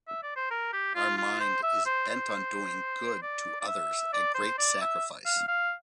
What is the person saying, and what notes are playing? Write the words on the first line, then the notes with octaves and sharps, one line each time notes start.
Our mind is bent on doing good to others at great sacrifice.
E5
D5
C5
A#4
G4
F4
F4
C5
E5
C5
C5
D5
D5
E5
D5
C5
D5
E5
F5
F5